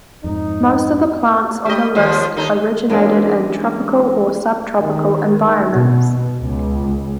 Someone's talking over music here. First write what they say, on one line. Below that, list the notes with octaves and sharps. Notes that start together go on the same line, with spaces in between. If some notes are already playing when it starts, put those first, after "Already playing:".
Most of the plants on the list originated in tropical or subtropical environments.
F2 G#2 D#4
G3 D#5
D#2 F3
D#2 D#4 A4
E3 G#3 A#3 C#4 D4
D#3
B2
C#2